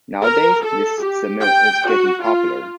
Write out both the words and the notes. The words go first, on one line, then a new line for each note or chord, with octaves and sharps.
Nowadays, this summit is getting popular.
A#4
A4
G4
G5
F#4
F4